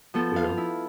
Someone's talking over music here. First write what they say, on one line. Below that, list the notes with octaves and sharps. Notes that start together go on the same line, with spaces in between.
you know,
F3 B3 A4
F5
E4